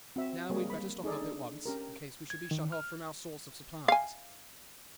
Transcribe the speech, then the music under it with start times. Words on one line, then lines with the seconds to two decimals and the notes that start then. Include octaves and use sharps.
And now we’d better stock up at once, in case we should be shut off from our source of supplies.
0.16 C4 F#4 E5
0.50 G3 G#3 A#3 G#4 C#5
0.70 B5
1.04 D#4 G#4 A4 D5
1.22 D4
1.66 C#4 G4 A#4
2.30 G#6
2.51 D#3
2.72 F6
3.88 F5 G#5